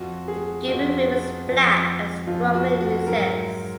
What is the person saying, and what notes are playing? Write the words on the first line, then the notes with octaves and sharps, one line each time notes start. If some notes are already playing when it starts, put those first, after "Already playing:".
The gable roof is flat and strongly recessed.
Already playing: F2 F3 F#4
G#4
F2 F3 F#4
F2 F3
F2 F3 F4
F#4
F#4
G#2 F#3 A#4